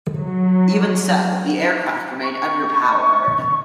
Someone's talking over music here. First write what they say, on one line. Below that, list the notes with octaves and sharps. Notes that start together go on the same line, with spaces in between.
Even so, the aircraft remained underpowered.
F#3
C#6